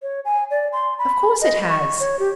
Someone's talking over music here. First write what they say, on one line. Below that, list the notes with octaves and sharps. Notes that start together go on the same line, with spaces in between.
"Of course it has."
C#5
G#5
D5
C6
B5
D#5
C#6
C#5
G4